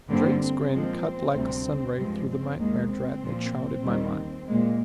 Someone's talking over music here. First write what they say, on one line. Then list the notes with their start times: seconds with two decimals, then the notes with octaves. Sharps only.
Drake's grin cut like a sunray through the nightmare dread that shrouded my mind.
0.09 G2 D3 G3 A#3 C4
0.41 C4
0.72 A#2 F3 G#3
1.34 D2 C3 G3
1.96 G2 F3 G#3 C4
2.28 C4
2.59 D#2 D#3 G#3 A#3
2.91 C4
3.22 A#2 F3 A#3
3.83 D#2 D#3 G3
4.47 A#2 G#3 A#3